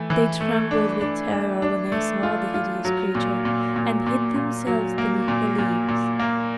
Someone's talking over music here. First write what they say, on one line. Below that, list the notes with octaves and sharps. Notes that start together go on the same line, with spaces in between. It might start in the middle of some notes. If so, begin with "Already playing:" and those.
They trembled with terror when they saw the hideous creature, and hid themselves beneath the leaves.
Already playing: E3 A3
E3
A3
D4
D4
D4
D4
A3
F4
F4
F#3
A#2
A#2
A#2
A#2
A#2
F#3
A#3
A#2
A#2
A#2
A#3